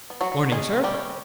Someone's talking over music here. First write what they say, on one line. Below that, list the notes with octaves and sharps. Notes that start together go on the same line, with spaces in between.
'Morning, sir!
B3
F#3 F#4
F#3
G#3 C#4 G#4
D#3
G3 G4
C#4